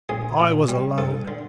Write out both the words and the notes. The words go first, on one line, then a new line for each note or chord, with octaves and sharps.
I was alone.
A#1 G#4
A#2
G3
G2 A4
D3